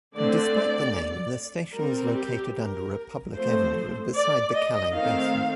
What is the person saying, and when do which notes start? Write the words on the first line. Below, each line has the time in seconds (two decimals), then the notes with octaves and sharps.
Despite the name, the station is located under Republic Avenue, beside the Kallang Basin.
0.15 D3 A3 C4 D5
1.74 G3 C4 A#4
2.15 G4
2.55 A#4
3.35 F3 A3 C4 C5
4.14 D5
4.54 D#5
4.94 D#3 A3 C4 F5